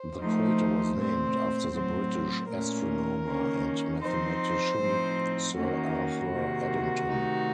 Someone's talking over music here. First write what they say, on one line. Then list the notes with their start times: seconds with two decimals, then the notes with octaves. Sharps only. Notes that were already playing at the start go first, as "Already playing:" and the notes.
The crater was named after the British astronomer and mathematician Sir Arthur Eddington.
Already playing: C5
0.19 F3 A3 D#4
0.95 A#2 A3 C4
1.72 A2 F#3 C4
2.48 A#2 A3 C#4 A#4
3.25 D#3 A#3 C#4
4.01 F3 C4 D#4 C5
4.78 A2 F3 C4 D#4
5.55 D#3 A#3 C#4 F#4
6.32 C3 D#3 A#3
7.07 C3 D#3 A3 D#4